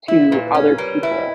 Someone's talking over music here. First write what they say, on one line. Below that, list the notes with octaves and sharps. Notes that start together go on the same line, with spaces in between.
to other people
E4
A#2 B4
B4
C#4 C#5
A#4
G3 B4
E4 B4
E5
D#5